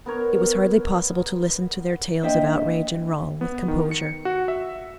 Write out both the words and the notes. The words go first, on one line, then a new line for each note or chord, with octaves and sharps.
It was hardly possible to listen to their tales of outrage and wrong with composure.
B3 A#4 C#5
A#3 D4 C5 D#5 E5 G5
B3
D#3
C#7
F#4
E5